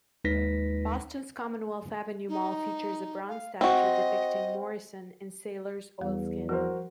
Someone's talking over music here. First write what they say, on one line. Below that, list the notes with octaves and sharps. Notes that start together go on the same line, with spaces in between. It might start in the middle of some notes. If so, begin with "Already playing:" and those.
Boston's Commonwealth Avenue Mall features a bronze statue depicting Morison in sailor's oilskin.
D#2 G#3 D#4 B4 A#6 B6
D#4
F5
C4 F#4 D#5
E2 G3
F3 F#4 A#4 C5